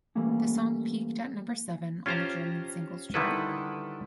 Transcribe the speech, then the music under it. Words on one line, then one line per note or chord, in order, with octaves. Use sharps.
The song peaked at number seven on the German Singles Chart.
E3 G3 A3 A#3 C#4
C#4 F4 G4 C5 A5 A#5
D3 D#3 G3 E4 A4 B4